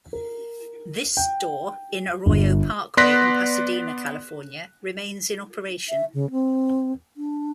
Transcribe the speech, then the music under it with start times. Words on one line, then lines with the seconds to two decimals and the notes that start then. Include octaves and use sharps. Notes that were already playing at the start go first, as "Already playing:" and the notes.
This store, on Arroyo Parkway in Pasadena, California, remains in operation.
0.13 A#4
1.17 G5
2.26 G1
2.97 B3 D5 C6 F#6 A#6 B6
5.89 E5
6.14 C#3
6.31 C4
7.17 D4